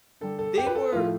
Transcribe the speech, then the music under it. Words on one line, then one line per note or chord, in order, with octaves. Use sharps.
they were,
D3 G3 A4
A4
G4
B4
A4
A2 F3 A3 F4